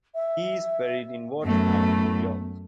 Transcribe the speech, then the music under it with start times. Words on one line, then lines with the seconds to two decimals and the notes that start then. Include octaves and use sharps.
He is buried in Watertown, New York.
0.15 E5
1.43 F#2 A3 B3